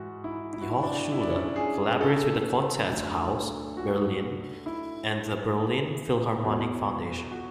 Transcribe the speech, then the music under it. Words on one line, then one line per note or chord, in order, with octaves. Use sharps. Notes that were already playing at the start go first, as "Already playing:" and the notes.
The Hochschule collaborates with the Konzerthaus Berlin and the Berlin Philharmonic Foundation.
Already playing: G#2 E3 F#4
E4
E4
F#4
E4
D4
E4
D4
C#4
D4
G#4
A4
D2 D3 F#3
F#4
E4
E2 B2 F#3
F#4